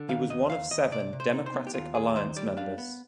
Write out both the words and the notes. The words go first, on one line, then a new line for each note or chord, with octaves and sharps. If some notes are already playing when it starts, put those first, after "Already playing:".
He was one of seven Democratic Alliance members.
Already playing: D3
D#3 F5
D#2 D#5
D#2 F5
D#2 D#5
C3 D5
C3
C5
D#4
C5
B3
G4
D#2 F4
D#2 G#4
D#3 C5
G3 D5
D4 F5
B3